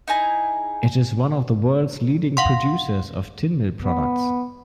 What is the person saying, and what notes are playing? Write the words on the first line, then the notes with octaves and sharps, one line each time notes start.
It is one of the world's leading producers of tin mill products.
D#4 E4 G#4 A#5
F5 F#5 C6
B3